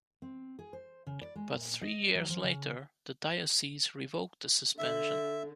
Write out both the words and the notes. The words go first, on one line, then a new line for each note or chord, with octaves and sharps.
But three years later, the diocese revoked the suspension.
C4
G#4
C5
C#3
D5
G#3
A#2
D#5
F#3
F3
C#3
D3 E5